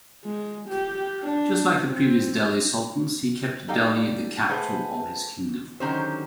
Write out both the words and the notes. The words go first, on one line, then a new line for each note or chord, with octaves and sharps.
Just like the previous Delhi Sultans, he kept Delhi the capital of his kingdom.
G#3
G4
D4
C4
G3 D#4 A4 D5 F5 G5
A3 G#4 B4 C5 F#5
D3 D#3 F#3 C#4 G4 C5